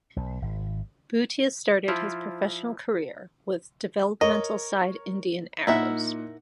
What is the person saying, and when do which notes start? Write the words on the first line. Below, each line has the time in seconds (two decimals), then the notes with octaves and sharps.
Bhutia started his professional career with developmental side Indian Arrows.
0.16 B1
0.42 G#1
1.88 F3 E4 F4
4.21 A#4 C#5 D#5
5.67 A#2 D#4 E4 A#4 E5 F#5